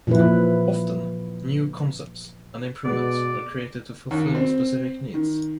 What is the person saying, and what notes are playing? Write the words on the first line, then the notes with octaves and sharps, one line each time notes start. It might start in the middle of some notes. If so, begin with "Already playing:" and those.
Often, new concepts and improvements are created to fulfill specific needs.
A#2 E3 F3 E4 B4
B2 G#3 B3 D5
D#2
C4
D#3